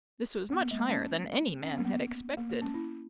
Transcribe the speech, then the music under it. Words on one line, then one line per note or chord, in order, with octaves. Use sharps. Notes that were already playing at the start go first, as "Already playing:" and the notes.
This was much higher than any man had expected.
B3
A#3
G#3
A#3
C#4
C#4
B3
A#3
B3
A#3
A#3
C#4
E4